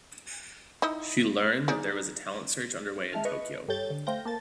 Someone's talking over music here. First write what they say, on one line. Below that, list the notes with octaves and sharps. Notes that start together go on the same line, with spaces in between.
She learned that there was a talent search underway in Tokyo.
D#4 E4 D#5
D#4 G#4 D5
G#3 E5 A5 F6
B4 D#5 C#6
G2 G4 A4 C#5 G6 A6
D3
A3 C5 F5 G5 G6 A#6
A#3 A5 A6